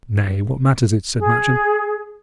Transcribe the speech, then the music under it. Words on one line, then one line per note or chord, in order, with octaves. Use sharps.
"Nay, what matters it?" said Matcham.
G#4